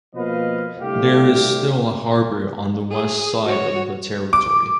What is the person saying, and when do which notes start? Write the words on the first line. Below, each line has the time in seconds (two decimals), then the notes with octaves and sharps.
There is still a harbour on the west side of the territory.
0.15 B2 F3 A#3 B4 D#5 F5
0.80 C2 D3 A3 G4 F5
2.90 G#4
3.45 F#4 C#5
4.33 D6